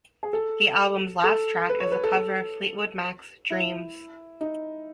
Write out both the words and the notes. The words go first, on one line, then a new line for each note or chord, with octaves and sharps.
The album's last track is a cover of Fleetwood Mac's "Dreams".
G#4
A4
A4
B4
C#5
B4
A4
A4
E4
D#4